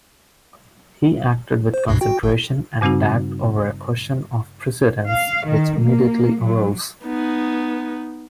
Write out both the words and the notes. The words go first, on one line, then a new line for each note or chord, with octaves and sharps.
He acted with consideration and tact over a question of precedence which immediately arose.
C5
C2 G2 B2
F#4 G5
G1
G2 C#3 G3 C4 D#4 F#4
F5
D#3
A#3
F#3
B3 D#4